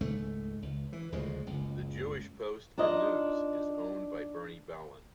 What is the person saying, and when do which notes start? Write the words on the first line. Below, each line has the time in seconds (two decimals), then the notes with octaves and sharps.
"The Jewish Post and News" is owned by Bernie Bellan.
0.01 C#2 G#2 A3
0.62 C#2
0.93 E3
1.12 D2 C#3 F3 G#3
1.47 F#1 C#2
2.78 D4 D#4 F4 D#5